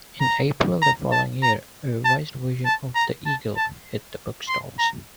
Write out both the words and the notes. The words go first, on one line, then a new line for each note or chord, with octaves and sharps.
In April the following year, a revised version of the "Eagle" hit the bookstalls.
A#5
A#5
A5
A#5
A5
A5
A#5
A5
A5
C6
A#5